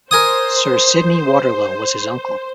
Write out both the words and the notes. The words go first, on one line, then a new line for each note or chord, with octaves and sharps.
Sir Sydney Waterlow was his uncle.
A#4 C5 G#5 D#6